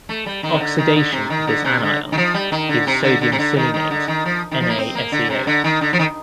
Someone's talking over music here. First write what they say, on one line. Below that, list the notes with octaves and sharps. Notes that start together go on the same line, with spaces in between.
Oxidation of this anion gives sodium selenate, NaSeO.
A3
G3
D#3
C3
D3
D#3
D3
C3
D#3
D3
C3
D3
D#3
F3
G3
D#3
D3
C3
D3
D3
C3
D3
D#3
D#3
D3
D#3
F3
D#3
F3
A#3
C4
A#3
D3
C3
D3
D#3
D3
F3
D#3